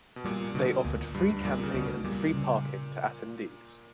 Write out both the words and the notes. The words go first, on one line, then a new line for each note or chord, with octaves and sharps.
They offered free camping and free parking to attendees.
B2
A#2 G3
B2 D3
D2 A#2
G2 G3
G2
A#2 G3
C#3
D2 B2
A#2 G3
C#3